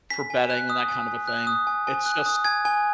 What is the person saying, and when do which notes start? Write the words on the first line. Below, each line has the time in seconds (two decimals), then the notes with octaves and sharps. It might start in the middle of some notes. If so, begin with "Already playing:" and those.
For betting and that kind of a thing. It's just
0.10 G#5 B6
0.30 G#5
0.50 F#6
0.70 D#6
0.88 G#5
1.08 G#5
1.28 F#6
1.47 D#6
1.67 G#5
1.87 G#5
2.06 F#6
2.26 D#6
2.45 G#5 G#6
2.65 G#5